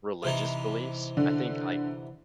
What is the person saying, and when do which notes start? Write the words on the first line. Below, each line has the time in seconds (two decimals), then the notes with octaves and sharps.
religious beliefs, I think, l c
0.23 C3 E3 D#4
1.17 D3